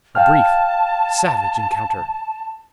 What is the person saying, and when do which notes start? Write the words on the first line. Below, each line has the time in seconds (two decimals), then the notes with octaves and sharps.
A brief, savage encounter.
0.15 F5 G5 A5 F6